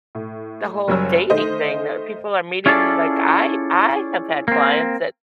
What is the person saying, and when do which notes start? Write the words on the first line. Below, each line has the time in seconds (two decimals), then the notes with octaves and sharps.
the whole dating thing that people are meeting, like, I I have had clients that
0.15 A2
0.88 F#1 F#3 G3 C#5 E6
1.30 D#3 A3 C5 D#5
2.66 C#4 E4 F4 G#4 A4 D5
4.48 A#3 C4